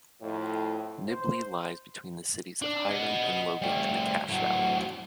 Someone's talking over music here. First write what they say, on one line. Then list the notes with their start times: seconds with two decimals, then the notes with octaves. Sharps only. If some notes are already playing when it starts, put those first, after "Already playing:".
Nibley lies between the cities of Hyrum and Logan in the Cache Valley.
0.22 F2 A2
1.08 C5
2.62 D4
2.91 B3 D#5
3.62 G3 A3
4.29 A2 F#3